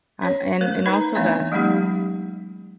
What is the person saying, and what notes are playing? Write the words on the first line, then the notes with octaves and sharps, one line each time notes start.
Um, and and also, that
C#4 C#5
A3 A#4 C5
D#4 B4 A#5
E3 A3 B3 C4 D4 E5
F#3 G#3 A#3 C#4 D#4 G4